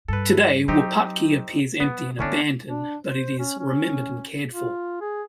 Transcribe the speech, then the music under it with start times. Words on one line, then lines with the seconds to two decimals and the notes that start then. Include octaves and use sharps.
Today Wupatki appears empty and abandoned, but it is remembered and cared for.
0.08 G2 A4 B4
0.68 F#3 C4 D#4 G4
1.80 F#3 B3
2.19 A2 D3 B3 C#4 D4
2.68 D4
3.05 C5
3.39 C#4
3.59 C#4
4.51 F4
5.01 G#4